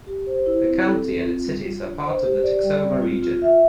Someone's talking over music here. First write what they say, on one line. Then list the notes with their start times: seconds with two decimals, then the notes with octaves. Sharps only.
The county and its cities are part of the Texoma region.
0.07 G4
0.26 C5
0.46 E4
0.66 C4
0.86 A4
1.05 C4
1.25 F4
1.45 G3
1.64 F4
1.85 D4
2.04 C5
2.24 G4
2.43 D5
2.63 G3
2.82 C4
3.02 F4
3.22 F4
3.42 E5